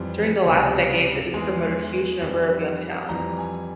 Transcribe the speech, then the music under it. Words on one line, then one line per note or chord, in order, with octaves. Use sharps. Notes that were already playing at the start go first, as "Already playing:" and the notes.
During the last decades it has promoted huge number of young talents.
Already playing: F2 E3 G3
C#2 C3 G3
E2 E3 G#3
F2 E3 G3
F2 E3 G3 A#5
G#5